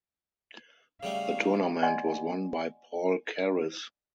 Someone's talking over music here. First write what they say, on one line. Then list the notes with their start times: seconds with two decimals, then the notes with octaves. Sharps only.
The tournament was won by Paul Keres.
1.03 C#3 G3 A3 F5
1.82 D5 D#5 F#5 G#5 B5 C6